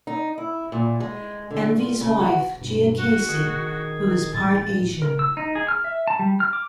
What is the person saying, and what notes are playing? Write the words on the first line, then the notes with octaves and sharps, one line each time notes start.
Envy's wife, Gia Casey, who is part Asian.
D#4
E4
A#2
G#3
D3
F4
C#3
F#4
G2 B2
F#4
D#3 G#4
A2 E3 G#3 A6
A#4
E6
D#4
G#4
F6
E5
A5
G3
F6
D6